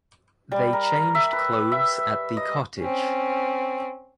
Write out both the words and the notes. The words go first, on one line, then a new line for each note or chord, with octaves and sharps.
They changed clothes at the cottage.
G3
A#4
E5
B4
E5
D#5
C4 C#4